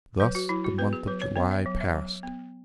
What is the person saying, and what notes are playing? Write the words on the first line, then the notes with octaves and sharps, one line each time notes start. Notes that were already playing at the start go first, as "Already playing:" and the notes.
Thus the month of July passed.
F#3 B4
F#4
F#3 E4
F#4
B3 B4
G#4
F#3 B4
C#5
B3 C#5
E5
F#3
E5
F#3
B3